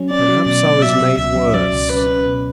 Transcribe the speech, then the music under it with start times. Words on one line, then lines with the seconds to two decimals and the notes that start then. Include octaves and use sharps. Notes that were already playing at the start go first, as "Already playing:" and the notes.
Perhaps I was made worse.
Already playing: F#3 C#4
0.11 C#4 D5
0.28 F#3
0.46 B2 D5
0.65 B2
0.82 F#3 E5
1.00 B2
1.18 C#2 E5
1.36 F#3
1.54 F#3 D5
1.72 C#2
1.90 C#4 B4
2.07 C#4
2.26 B2